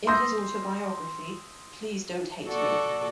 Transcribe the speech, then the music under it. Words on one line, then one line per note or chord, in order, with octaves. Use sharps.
In his autobiography, Please Don't Hate Me!
C6 D#6 E6 G6 A#6
F#4 A4 D5